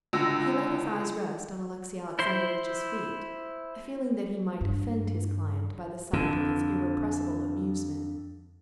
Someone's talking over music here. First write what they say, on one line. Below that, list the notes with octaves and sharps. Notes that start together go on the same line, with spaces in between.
He let his eyes rest on Alexey Alexandrovitch's feet, feeling that he might offend his client by the sight of his irrepressible amusement.
C#2 D3 E6 A#6
E4 C5 C6
G2
F2 D3